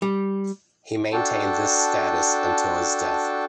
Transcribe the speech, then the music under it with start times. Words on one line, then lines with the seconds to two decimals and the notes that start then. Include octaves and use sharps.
He maintained this status until his death.
0.02 G3
1.13 D4 F#4 A4 G5 A5